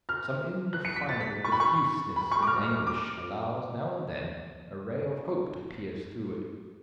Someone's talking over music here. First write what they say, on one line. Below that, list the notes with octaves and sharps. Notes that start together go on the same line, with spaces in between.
Some indefinable diffuseness in anguish allows now and then a ray of hope to pierce through it.
F6
F#6
C#7
B6
A6
B6
C#6
B5
C#6
B5
C#6
D6
F6
F6
D6